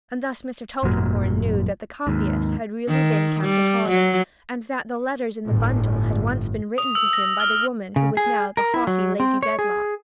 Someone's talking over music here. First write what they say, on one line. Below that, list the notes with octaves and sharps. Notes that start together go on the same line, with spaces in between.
And thus Mr. Tulkinghorn knew that the copyist had really been Captain Hawdon and that the letters in the bundle had once been written to him by the woman who was now the haughty Lady Dedlock.
G#1 F#2 A#2 F#3
D#2 G#2
D#3
G3
F#3
G1 A2
D#6
E6
A#6
F6
C#3
G#4
A#4
E4
F#3
C4
C#5
G#4